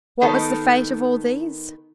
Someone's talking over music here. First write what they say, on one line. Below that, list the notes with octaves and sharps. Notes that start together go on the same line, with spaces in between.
What was the fate of all these?
D#3 B3 D#4 A4 A#4